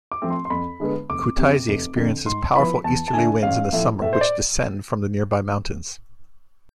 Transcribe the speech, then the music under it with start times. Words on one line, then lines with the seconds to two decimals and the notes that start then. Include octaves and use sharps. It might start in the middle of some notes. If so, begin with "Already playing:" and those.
Kutaisi experiences powerful easterly winds in the summer which descend from the nearby mountains.
0.12 D6
0.22 F3 A3 C4
0.30 C6
0.45 C6
0.50 F2 B5
0.80 D3 G#3 B3
1.10 F1 D6
1.38 F2 C3
1.68 F1
1.96 F2 D3
2.26 G#2 C6
2.55 F3 B3 E4 B5
2.84 E2 A5
3.08 A5
3.13 D3 A3 D4 G#5
3.43 A1 F5
3.72 A2 F3 A3 E4
4.01 A2 E5
4.13 C5
4.21 D5